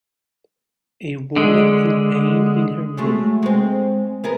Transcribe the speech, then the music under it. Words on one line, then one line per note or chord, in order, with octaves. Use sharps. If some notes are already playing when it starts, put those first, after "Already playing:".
A woman in pain in her room.
D3 G#3
F#3 G#3 A3
G#3 C4
B3 G#4 A#4